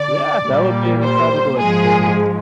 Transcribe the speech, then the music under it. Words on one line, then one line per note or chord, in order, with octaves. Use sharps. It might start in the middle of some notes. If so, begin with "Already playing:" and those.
Yeah, that would be an incredible experience.
Already playing: D3 D5
A#2 G3 A#3
C5
G#2 F3 G#3 G#4